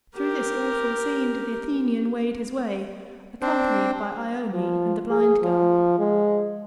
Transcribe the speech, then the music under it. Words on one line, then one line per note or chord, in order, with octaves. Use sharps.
Through this awful scene did the Athenian wade his way, accompanied by Ione and the blind girl.
G4 A#4
C4 D4 C5
F3
G#4
F3
G#3